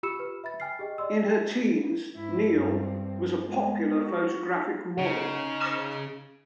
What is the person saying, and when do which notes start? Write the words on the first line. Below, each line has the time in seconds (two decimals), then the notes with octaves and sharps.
In her teens, Neill was a popular photographic model.
0.03 F4 G4 B5 E6 C#7 E7
0.20 B4
0.44 E5 B5 A6
0.60 G5 G#5 F6 A6 C7
0.79 G4 G#4 D#5 G5
0.98 D5 D#5 C6 E6
2.15 G#2 E4
2.53 G2 C4
3.44 G#3 B3
4.00 F#4
4.98 C#3 D#4